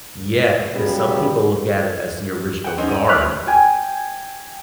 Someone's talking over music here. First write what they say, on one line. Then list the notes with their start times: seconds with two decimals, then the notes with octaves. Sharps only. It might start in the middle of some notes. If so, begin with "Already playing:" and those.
Yeah, 'cause some people look at it as the Original Guard.
0.75 C#3 F#3 G3 B3 G4
2.64 F#5 G5
2.78 C4 C#4 D#4
2.91 D#7
3.09 D1 A1 D2 B5 F6 F#6
3.47 G5 G#5